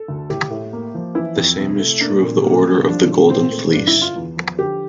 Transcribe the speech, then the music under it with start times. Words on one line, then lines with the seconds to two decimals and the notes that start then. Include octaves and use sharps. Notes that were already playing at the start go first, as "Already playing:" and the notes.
The same is true of the Order of the Golden Fleece.
Already playing: A4
0.08 D2
0.29 A2 G4
0.50 A2
0.73 A#3
0.94 F3
1.15 E3 E4
1.37 F2
1.59 C3
1.79 A3
2.01 A#3 D4
2.23 A#2
2.44 A#3
2.66 G3
2.86 F3 D4
3.09 F3
3.30 A#2 C4
3.51 A3
3.73 G2 D4
3.87 E4
3.95 D3
4.02 F4
4.16 E2
4.37 F3
4.59 D3 G4